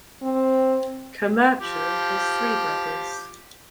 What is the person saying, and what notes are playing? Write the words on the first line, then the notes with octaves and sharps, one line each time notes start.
Camacho has three brothers.
C4
F3 G4